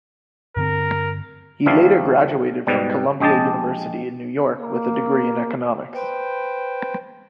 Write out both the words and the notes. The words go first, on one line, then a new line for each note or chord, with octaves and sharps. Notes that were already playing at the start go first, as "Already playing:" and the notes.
He later graduated from Columbia University in New York with a degree in economics.
G2 D3 C4 A#4
D#2 F3 G3 E5 F5
G#2 B2 G3
A#1 G#3 G4 D#5 A5
A#3
B4 C5 G5